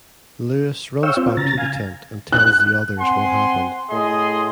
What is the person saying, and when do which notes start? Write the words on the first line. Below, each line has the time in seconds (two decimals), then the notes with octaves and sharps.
Lewis runs back to the tent and tells the others what happened.
1.03 C#5 F5 G5 E6
1.17 C4 F4
1.37 C#3 A#5 A6
1.58 F5 G#5
2.32 F#6
2.99 C4 F#5 G#5 C6
3.90 A2 G#4 D#5 C6